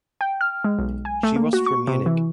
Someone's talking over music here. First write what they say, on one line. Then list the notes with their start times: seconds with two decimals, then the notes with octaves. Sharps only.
She was from Munich.
0.21 G5
0.41 F6
0.64 G#3
0.79 B1
1.05 G#5
1.23 A3
1.36 A#3
1.53 F#4
1.66 C#6
1.87 C3
2.06 E3